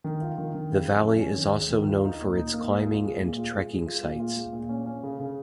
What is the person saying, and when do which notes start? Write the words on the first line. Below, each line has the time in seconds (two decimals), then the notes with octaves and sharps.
The valley is also known for its climbing and trekking sites.
0.04 D#3
0.21 F4
0.38 D#3
0.54 D#3
0.72 C#3
0.87 F2
1.05 C#4
1.21 C#4
1.38 D#3
1.54 G#3
1.70 D#3
1.88 F4
2.05 D#4
2.21 A#2
2.37 D#4
2.54 A#3
2.70 G#3
2.86 F4
3.03 G#3
3.20 A#2
3.37 F4
3.53 G#3
3.70 G#3
3.86 F4
4.03 A#2
4.20 F4
4.36 G#3
4.53 A#2
4.69 C#4
4.86 C#4
5.03 C#3
5.20 C#3